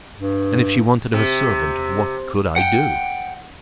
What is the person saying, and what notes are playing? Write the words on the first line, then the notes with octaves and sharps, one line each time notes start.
And if she wanted her servant, what could I do?
G2
C3
F#5 G5